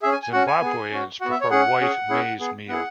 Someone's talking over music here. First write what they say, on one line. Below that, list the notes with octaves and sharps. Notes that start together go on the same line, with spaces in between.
Zimbabweans prefer white maize meal.
C#4 G#4 E5
G#5
G#5
C#4 F#4 F#5
G#5
B3 G#4
C#4 F#4
B3 F#4 F#5
E5
C#5
C#4 G#4 F#5
C#4 G#4
C#4 E4 G#4
B3 G#4
B3 E4 G#4 F#5